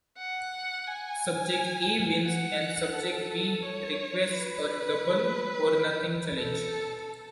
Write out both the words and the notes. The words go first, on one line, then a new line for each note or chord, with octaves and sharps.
Subject A wins and subject B requests a “double or nothing” challenge.
F#5
G#5
F#5
A4
C#5
B4
A4